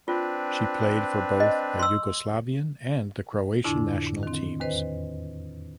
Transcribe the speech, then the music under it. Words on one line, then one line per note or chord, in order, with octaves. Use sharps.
She played for both the Yugoslavian and the Croatian national teams.
C4 D4 F4 B4
D#5
C6 E6
F2 A2 D3 D4 E4
D#3 C4
E2 D#3 B4 C5 D#5